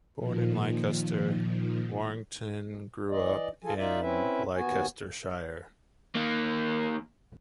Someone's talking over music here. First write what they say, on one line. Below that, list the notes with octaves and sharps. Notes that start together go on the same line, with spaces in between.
Born in Leicester, Warrington grew up in Leicestershire.
A#2 D#3 F3
E3 D5 D#5
F4 G#4 A4 G#5
D#4 F4 D5 E5
C4 C#4 E4 B4 E5
D#2 B3 F#4 G#5
D#3 A#3